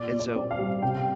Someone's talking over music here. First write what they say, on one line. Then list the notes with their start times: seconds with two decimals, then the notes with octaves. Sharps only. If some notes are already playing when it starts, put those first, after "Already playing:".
and so,
Already playing: A#2 D5
0.12 A#2
0.20 D5
0.36 C4
0.51 F5
0.58 G3
0.82 C3 G5